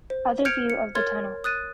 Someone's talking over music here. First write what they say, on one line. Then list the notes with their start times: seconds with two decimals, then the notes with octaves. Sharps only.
Other view of the tunnel.
0.10 C5
0.45 F6 G6 G#6 C#7 D7 F7
0.70 C#7
0.95 A#4 C#5 C6 F6 G#6 A6
1.44 D#6 F#6 A6 D#7